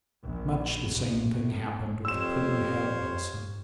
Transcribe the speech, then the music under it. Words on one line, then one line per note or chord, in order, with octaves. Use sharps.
Much the same thing happened with PUDD'NHEAD WILSON.
A#1
B1
A2
F2 G4 C5 C#5 F5 E6 E7